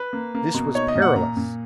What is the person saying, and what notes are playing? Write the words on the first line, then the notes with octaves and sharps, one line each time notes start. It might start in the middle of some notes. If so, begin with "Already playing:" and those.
This was perilous.
Already playing: B4
A#3
A#3
B2
D#4 C#5
D#5
A#2
F#5
A#2 A#5
A#2